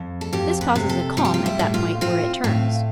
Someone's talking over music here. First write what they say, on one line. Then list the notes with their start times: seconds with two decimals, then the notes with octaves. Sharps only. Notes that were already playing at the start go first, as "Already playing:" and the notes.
This causes a calm at that point where it turns.
Already playing: F2
0.21 A4
0.33 F2 G4
0.61 B4
0.75 C3
0.89 A4
1.17 G3 F4
1.25 G4
1.34 F4
1.46 E4
1.59 A2
1.74 F4
2.01 C4 F4
2.44 A2 F4